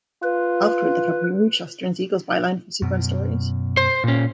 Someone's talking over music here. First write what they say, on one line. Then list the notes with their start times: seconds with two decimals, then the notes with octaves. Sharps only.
Afterward, the company removed Shuster and Siegel's byline from Superman stories.
0.23 F4 B4
2.82 F#2 B2
3.77 C5
4.04 A#2 C#4